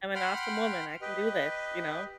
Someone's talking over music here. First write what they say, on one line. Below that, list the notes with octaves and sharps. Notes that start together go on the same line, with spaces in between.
am an awesome woman, I can do this," you know?
F#5 G5 B5 C6 F6
G4 B4 D#5